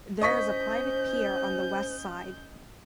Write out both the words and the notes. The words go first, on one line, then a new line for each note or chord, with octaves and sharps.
There is a private pier on the west side.
C#4 C5 D#5 C#6 G6 B6